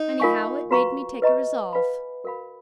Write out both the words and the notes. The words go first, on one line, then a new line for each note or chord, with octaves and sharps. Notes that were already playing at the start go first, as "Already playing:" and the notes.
Anyhow, it made me take a resolve.
Already playing: D#4
F4 A#4 F5 G#5 C#6
F#4 B4 F5 A#5 C#6
B4 D#5 A#5 C#6
B4 F5 G#5 B5
F#4 A#4 F5 B5